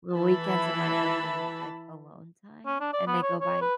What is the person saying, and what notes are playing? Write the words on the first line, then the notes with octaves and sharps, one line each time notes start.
the weekends are my only, like, alone time, and they go by
E3 E5 A5 B5
C#4
D4
D5
B3
C#5
C#5
B4